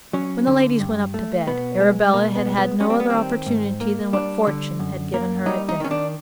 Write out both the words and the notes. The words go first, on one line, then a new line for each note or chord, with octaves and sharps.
When the ladies went up to bed Arabella had had no other opportunity than what Fortune had given her at dinner.
F#3 C#4
D3
G2
A3
B2 B3
G#3
B2 A#3
B3
G#3
B3
G3 C#4
C4
B3
D#3 C4
G#2
A#3
G3 D4
D3
F#2
A#3
G3 D#4
D#4
D#3 C#4
D4